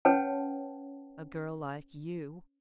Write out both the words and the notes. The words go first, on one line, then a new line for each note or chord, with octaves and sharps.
A girl like you.
C#4 B4 C#5 F#5 G5 A5